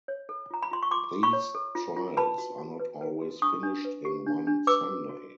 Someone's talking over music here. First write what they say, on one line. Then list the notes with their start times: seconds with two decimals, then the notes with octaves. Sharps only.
These trials are not always finished in one Sunday.
0.08 C#5
0.29 A4
0.51 F4 A#5
0.63 B5
0.71 F4 C6
0.83 C#6
0.91 F4 C6 D6
1.13 F4
1.23 B5 C#6
1.33 C#5
1.55 A4
1.75 F4
1.96 F4
2.17 B4 A5 B5
2.38 F#4
2.58 F#4
2.80 B4
3.01 B4
3.22 F#4
3.42 D4 C#6 D#6
3.63 D4
3.85 B4
4.05 G4
4.26 D4
4.47 D4
4.67 B4 D6 E6
4.89 F#4
5.09 F#4